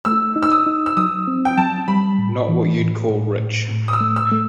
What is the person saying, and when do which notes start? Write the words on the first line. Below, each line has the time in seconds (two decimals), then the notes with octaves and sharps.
Not what you'd call rich.
0.05 A3 E6
0.36 D#4
0.43 E6
0.52 D#6
0.66 D#4
0.86 E6
0.97 F#3 D#6
1.27 C4
1.45 G5
1.57 F#3 A5
1.88 G3 B5
2.19 A2
2.48 E3
2.79 A2
3.10 A2
3.40 A2
3.70 A2
3.88 D#6
3.93 E6
4.01 A3
4.16 E6
4.32 A3